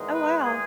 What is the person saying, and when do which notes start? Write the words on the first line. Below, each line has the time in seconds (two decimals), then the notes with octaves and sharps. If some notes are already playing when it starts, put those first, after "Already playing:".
Oh, wow.
Already playing: E2 D#3 G#3 D#4
0.13 B4
0.43 G#4